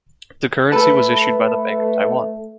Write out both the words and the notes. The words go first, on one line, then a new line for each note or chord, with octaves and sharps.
The currency was issued by the Bank of Taiwan.
A3 A4 B4 A5